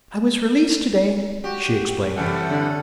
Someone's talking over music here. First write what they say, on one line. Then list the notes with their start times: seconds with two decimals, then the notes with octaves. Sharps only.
"I was released to-day," she explained.
1.44 F#4 G4
2.16 C3 E3 G3 C#4 A4 F#5
2.50 D3